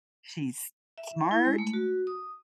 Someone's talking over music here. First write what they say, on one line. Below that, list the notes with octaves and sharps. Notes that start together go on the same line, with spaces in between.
she's smart,
E5
E4
G#3
A3
F#4
D#6